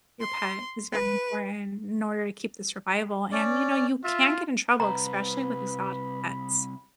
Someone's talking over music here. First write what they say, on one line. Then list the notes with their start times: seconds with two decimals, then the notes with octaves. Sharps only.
your pet is very important in order to keep the survival, and you know, you can get in trouble, especially with exotic pets,
0.19 C6
0.91 B4
3.32 C#4 D5
4.04 F4 E5
4.80 C2 B4 A#5 B5